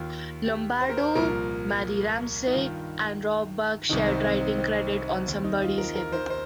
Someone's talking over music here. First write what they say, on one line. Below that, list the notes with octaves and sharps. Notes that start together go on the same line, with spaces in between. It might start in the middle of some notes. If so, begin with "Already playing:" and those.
Lombardo, Mary Ramsey and Rob Buck shared writing credit on "Somebody's Heaven".
Already playing: D#2 D#3 F4
G4
C5
A#4
C5
C2 A#2 F3 A#4
D#4
G2 D#3 F4
C2 C3 D#3 D#4
C4
C4
D#4
C4
D#2 D#3 C4
D#4
F4
A#4
A#4
C5
C5